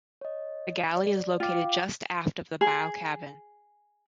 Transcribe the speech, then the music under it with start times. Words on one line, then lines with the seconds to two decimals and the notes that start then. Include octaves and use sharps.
The galley is located just aft of the bow cabin.
0.21 C#5 D#5
0.96 D5
1.40 F4 F5 G5 D6
2.61 G#4